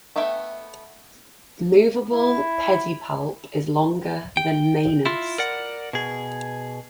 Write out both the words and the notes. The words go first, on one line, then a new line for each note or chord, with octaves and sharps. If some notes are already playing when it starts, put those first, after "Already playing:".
Movable pedipalp is longer than manus.
A3 B3 A4 E5 G5
E4
G5
E4 F4
A#4 D5 F#5
B2 G#4